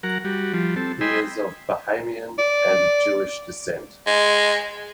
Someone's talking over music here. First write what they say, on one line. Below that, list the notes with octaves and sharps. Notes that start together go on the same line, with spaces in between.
He is of Bahamian and Jewish descent.
F#3 A#4 F#5
G3 F#4
F3 G3
C4 A4
D#5 G5 G#5 B5 C6 E6
D5
G#3